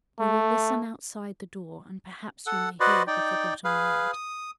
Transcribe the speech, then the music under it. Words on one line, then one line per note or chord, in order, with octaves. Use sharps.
We will listen outside the door, and perhaps you may hear the forgotten word.
A3
A4 F#5
F#4 B4 C5 D5 D#5
D#4 D5 G5
G#4 B4 F5
D#6